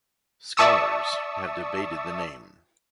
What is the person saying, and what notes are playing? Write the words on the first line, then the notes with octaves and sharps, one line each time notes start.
Scholars have debated the name.
D5 E5 A5 C#6 D#6 E6